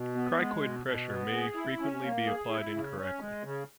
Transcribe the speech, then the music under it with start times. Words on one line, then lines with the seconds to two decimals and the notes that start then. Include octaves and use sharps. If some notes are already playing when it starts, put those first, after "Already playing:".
Cricoid pressure may frequently be applied incorrectly.
Already playing: B2
0.15 B3
0.39 G#3
0.62 B2
0.86 B2
1.09 B3
1.33 G#4
1.55 E4
1.80 C#4
2.03 A#3
2.26 G#4
2.50 E4
2.73 C#3
2.96 C#4
3.20 G#3
3.43 C#3